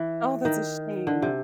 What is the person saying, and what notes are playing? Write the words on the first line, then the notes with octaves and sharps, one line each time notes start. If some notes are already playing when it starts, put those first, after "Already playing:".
Oh, that's a shame.
Already playing: E3
D#3
D3
C3